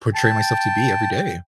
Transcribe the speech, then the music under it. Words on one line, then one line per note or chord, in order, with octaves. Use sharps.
portray myself to be every day.
G5 A5